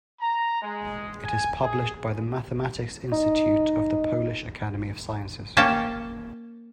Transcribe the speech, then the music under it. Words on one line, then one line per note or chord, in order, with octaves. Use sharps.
It is published by the Mathematics Institute of the Polish Academy of Sciences.
A#5
G#3
G#5
G#4
D#4
A#3 C#4 G5 A5